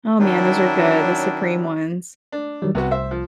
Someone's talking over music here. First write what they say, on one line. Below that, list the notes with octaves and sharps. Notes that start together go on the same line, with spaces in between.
Oh, man, those are good, the supreme ones.
D#3 F#3 C#4 D4 E4
D4
D#3 F#3 G3
C2 C3 B3 F#4
C5 E5
F3